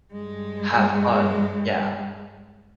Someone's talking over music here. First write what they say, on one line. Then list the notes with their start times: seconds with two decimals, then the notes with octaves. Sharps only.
have fun yeah.
0.12 G2 G#3